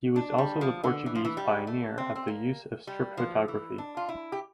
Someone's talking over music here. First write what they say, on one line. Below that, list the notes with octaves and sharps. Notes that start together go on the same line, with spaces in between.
He was also the Portuguese pioneer of the use of strip photography.
D4
G3
F3
D3
E3
F3
E3
G3
A3
C4
C4
A#3
G3
F3
E3
D4
F4
E4
G4